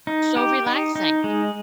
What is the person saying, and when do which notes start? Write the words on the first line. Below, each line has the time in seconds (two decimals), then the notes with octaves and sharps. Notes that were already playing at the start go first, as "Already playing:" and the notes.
so relaxing.
0.07 D#4
0.37 G4
0.66 D#4
0.96 D#4
1.24 G#3